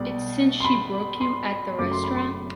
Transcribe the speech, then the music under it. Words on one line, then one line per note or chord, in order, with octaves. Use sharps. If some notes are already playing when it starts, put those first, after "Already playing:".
It’s since she broke you at the restaurant?
Already playing: B1 B2 G3 D5
C6
B5
C6
F#1 F#2 F#3 A3 D6
C6
B5
C6